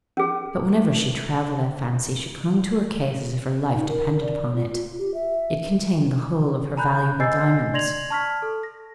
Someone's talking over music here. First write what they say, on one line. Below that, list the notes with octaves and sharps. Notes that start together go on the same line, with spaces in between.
But whenever she travelled, I fancy, she clung to her case as if her life depended upon it; it contained the whole of her valuable diamonds.
C#4 G#4
D#4
A#4
D5
F4
F4
G4
E5
G#5 A#5 B5 F#6 G6
D#5 G#5 E6 G6 A6 C7
D5 C6 G#6 A#6 F7 F#7
A5 C#6 F6 G#6 B6
A4
A#6